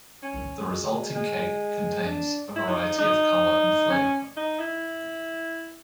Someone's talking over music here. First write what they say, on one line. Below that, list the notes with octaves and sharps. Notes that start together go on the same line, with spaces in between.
The resulting cake contains a variety of colour and flavour.
C#4
G#3
G#3
D4
E4
D#4
D#4
C#4
D#4
E4